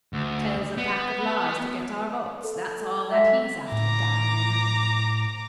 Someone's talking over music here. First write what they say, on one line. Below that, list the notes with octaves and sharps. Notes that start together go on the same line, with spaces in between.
Tells a pack of lies to get our votes, that's all that he's after, damn him.
D2
B3
A4
G#3 E5
A2 A#5 D6